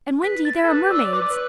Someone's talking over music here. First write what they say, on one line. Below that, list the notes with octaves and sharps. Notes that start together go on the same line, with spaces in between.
"And, Wendy, there are mermaids."
B4 B6
A6
A4
B4 F#6
D5 E6
B4 D6
D5
B4